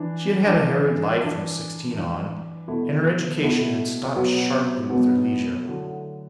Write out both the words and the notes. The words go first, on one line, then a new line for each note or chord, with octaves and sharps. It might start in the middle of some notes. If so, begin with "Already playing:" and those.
She had had a harried life from sixteen on, and her education had stopped sharply with her leisure.
Already playing: E3 D4
E3 D4
E3 D4
E3 D4
B2 A3 E4
B2 A3 E4
B2 F#3 B3
B2 F#3 B3
D3 F#3 A3 E4